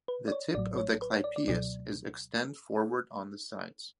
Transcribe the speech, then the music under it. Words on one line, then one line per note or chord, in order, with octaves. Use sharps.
The tip of the clypeus is extend forward on the sides.
B4
D5
C#5
A1 A2 F#3 D5
C#5
B4
C#5
D5
D5
C#2 B2 F#3 D5